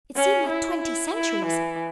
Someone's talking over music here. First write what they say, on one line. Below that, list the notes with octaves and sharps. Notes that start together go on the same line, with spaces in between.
It seemed like twenty centuries.
C#4
E4
E4
E4
E3